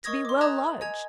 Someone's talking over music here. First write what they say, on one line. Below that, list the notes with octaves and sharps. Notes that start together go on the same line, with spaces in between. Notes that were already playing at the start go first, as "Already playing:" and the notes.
To be well lodged!
A#4 D#5 C#6 D#6 G#6 A#6
C6 D6
D#5 A5 A#5 D#6 F#6 G#6
D#5 G#5 G#6 F7